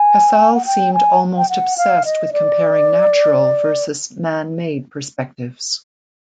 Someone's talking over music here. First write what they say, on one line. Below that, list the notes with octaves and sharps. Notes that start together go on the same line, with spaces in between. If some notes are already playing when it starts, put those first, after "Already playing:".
Casal seemed almost obsessed with comparing natural versus "man-made" perspectives.
Already playing: G#5
F#5
G5
G#5
G5
F#5
F5
D#5
D5